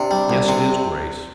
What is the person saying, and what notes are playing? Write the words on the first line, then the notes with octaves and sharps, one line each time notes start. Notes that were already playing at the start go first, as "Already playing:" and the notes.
Yes, it is, Grace.
Already playing: C3 D4
G3
C2
C3